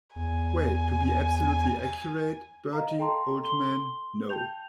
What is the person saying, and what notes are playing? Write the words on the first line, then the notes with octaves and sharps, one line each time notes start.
Well, to be absolutely accurate, Bertie, old man, no.
E2 G#5
D#5 F5 A#5
A4 G5 A5 A#5 C6
C6 G7
G5 A5 G6 F7